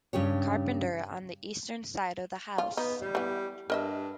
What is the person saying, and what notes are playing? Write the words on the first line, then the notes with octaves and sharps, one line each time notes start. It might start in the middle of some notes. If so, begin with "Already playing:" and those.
Carpenter on the eastern side of the house.
G2 C#3 G4 C#5
F4
B3 D#4
G3
E3 B3
G2 A#4 D#5 E5